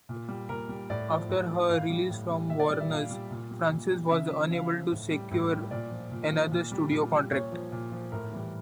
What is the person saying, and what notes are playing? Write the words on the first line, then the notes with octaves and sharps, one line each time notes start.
After her release from Warners, Francis was unable to secure another studio contract.
A#2
G3
A#2 A#4
G3
A2 D5
F3
A2
F3
A2 F5
G3
A2
G3
A#2 E5
D5
G3
E5
A#2 F5
G3
A#2
G3
A#2
G3
C#3 E5
F3
C#3 F5
F3
A2
G3
A2
G3
A#2 D5
F3
A#2
F3
A#2
G3
A#2
G3
A#2 C#5
F3
A#2
F3
A2 A#4
E3 G3